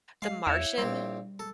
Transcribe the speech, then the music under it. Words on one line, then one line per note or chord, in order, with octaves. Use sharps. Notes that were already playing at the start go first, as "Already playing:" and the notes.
The Martian,
G#3 F5
E2 E4 C#5 E5
A#1 G3 C4
A4